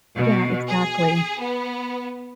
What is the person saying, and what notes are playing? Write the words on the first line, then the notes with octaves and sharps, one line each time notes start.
Yeah. Exactly.
B2
G#4
B3